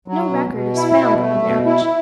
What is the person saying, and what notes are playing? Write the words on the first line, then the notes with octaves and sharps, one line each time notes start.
No record is found of the marriage.
F#3
B2
B2
E4
B2
A3
B2
E4